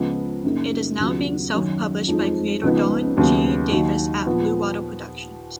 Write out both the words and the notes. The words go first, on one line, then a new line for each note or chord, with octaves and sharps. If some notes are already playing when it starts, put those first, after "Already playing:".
It is now being self-published by creator Darren G. Davis at Bluewater Productions.
Already playing: C#2 C#3 F3 B3
F#2 C#3 F#3 A#3 D#4
D#2 C#3 F#3 B3 F4
F#2 D#3 F#3 C#4
F2 F3 G#3 D#4
C#2 C#3 F3 B3 D#4
D#2 C#3 F#3 B3 D#4
D#2 D#3 F#3
A#2 F3 B3